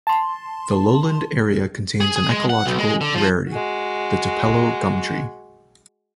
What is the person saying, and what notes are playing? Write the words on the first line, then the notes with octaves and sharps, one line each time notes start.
The lowland area contains an ecological rarity: the tupelo gum tree.
A5 C6
G#4
G#4
G#3
F#5
B1
G#3
D3
F3
G#3 F#4